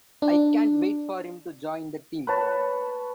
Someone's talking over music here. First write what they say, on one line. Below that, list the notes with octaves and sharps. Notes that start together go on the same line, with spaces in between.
I can't wait for him to join the team.
D4
B4 C#5 A5